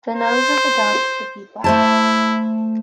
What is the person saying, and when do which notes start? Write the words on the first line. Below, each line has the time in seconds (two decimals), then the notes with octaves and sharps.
The nose of the dog should be black.
0.16 C5
1.64 A3 E4 C5 A5